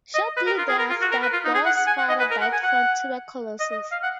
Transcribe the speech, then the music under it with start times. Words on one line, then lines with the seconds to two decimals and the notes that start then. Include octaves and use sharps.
Shortly thereafter, Boyle's father died from tuberculosis.
0.14 D#5
0.36 B4
0.46 A#4
0.58 F4
0.68 G#4
0.78 A#4
0.89 F4
1.01 F#4
1.11 A#4
1.22 B4
1.33 F4
1.44 D#4
1.54 G#4
1.65 F#5
1.76 F#5
1.87 G#5
1.98 F#5
2.09 D#5
2.19 B4
2.31 A#4
2.41 F#5
2.52 G#5
2.63 F#5
3.60 D#5
3.71 D#5
3.92 F5
4.03 F#5